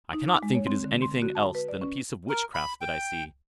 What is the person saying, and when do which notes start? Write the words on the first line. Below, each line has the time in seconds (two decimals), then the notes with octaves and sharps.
I cannot think it is anything else than a piece of witchcraft that I see.
0.13 D#4
0.28 D6
0.43 G#3
0.55 C#5
0.67 C4
0.84 D3
1.02 C6
1.22 F#4
1.35 A5
1.55 B4
1.68 D5
1.81 C#4
2.29 A#4
2.55 B5
2.81 G5